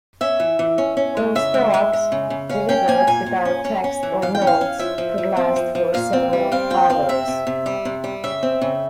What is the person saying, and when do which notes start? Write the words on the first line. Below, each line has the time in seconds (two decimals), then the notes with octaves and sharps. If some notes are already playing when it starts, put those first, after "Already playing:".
Those talks, delivered without text or notes, could last for several hours.
0.21 C#4 E5
0.40 E3
0.59 E3
0.78 C#4
0.97 C#4
1.17 G#3
1.35 C#3 E5
1.54 G#3
1.74 G#3
1.93 G#3
2.12 C#3
2.30 C#3
2.49 C#4 F5
2.69 C#4 G5
2.88 A#3 G#5
3.07 A#2 G#5
3.26 A#2
3.45 C#4
3.65 C#4
3.84 C#4
4.03 E3
4.22 E3 F5
4.35 G5
4.41 C#4
4.47 F5
4.61 C#4
4.79 F3 E5
4.98 F3
5.18 F3
5.37 C4
5.56 F3
5.75 F3
5.94 A#2 F5
6.13 C4
6.33 G3
6.52 C4 F5
6.70 A#2 G5
6.90 C4 F5
7.09 C3 E5
7.28 C3
7.47 C3
7.66 G3
7.85 C3
8.04 G3
8.24 C#3 E5
8.43 C4
8.61 C#3